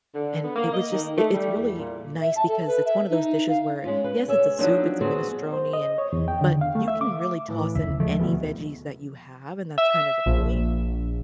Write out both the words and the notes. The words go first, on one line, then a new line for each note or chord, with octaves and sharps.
and it was just it it's really nice because it's one of those dishes where, yes, it's a soup, it's a minestrone, and but you can really toss in any veggies that you have, and that's kind of the point,
D3
B3
A#3
D#5
D#3
A3
G3
E2
A#2
E5
A5
A4
B4
E5
D#4
F5
G#3 C#4 F4
B4
G#4 C#5 E5
F3 F#3 A#3 C4 D4 D#4
F#3 B3 C4 G#4
C5
D#5
C#5
E2
G5
D3
F5
A3
E5
D6
A2 E3
F1 D#2 C#3 E5
F3 G#3 A3
D2 B2 E3
E5
A#1